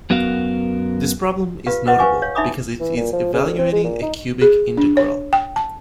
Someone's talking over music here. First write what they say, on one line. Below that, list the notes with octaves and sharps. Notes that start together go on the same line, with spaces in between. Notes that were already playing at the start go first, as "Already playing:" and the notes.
This problem is notable, because it is evaluating a cubic integral.
F#2 B3 F#4 A#4 F5
F4 G4 B4 F5
F4 G#4 B4 C5 D#5 F#5
B4 C5 F5 G#5 C#6 D6
C#5 F5
D#4 E5 G#5 B5 D6 D#6
E3
A#2
F3
C#3
D2
C4
G#3
A#2
D#4
G#4
D4
C#5
G5
A5